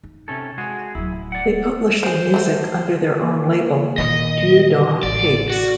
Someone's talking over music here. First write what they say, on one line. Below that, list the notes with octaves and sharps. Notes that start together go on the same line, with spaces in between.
They publish their music under their own label Diu Dau Tapes.
D#4
C3 C#4 A4
G#3 F#4 G#4
D1 F#3 E4
D5 F#5
F#4 G#4 C5
F#3 A3 F#4
A#3
A#2 D#3 D#5
A1 D5
F#4 D5